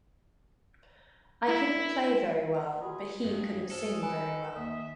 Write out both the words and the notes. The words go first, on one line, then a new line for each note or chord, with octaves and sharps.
I couldn't play very well, but he couldn't sing very well.
E4
F4 F#4 G#4
G2
A4 C5
B4 G#5
D#2 D#5 E5